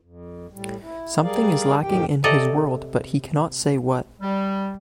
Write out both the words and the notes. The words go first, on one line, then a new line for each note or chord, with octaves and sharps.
Something is lacking in his world-but he cannot say what.
F2
A2 G3
E4
G3 G#4 A#4 D5 F5
F2 A2 D#3 F3 G4 G5
C3 A4 D5 D#5 A#5
G3